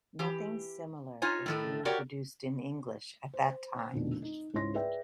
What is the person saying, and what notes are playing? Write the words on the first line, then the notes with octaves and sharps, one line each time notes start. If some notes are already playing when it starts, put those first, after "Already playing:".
Nothing similar was being produced in English at that time.
E3 G4
D#4 F4 C#5 G#5
A2 D#3 A3
F#4 G4 A#4 C#5 D5
C5
F1 A#1 B2 D3 D#3
D#4
C#2 G#2 E4 C#5 C6 A#6
G#4 B4 D5 E5 G5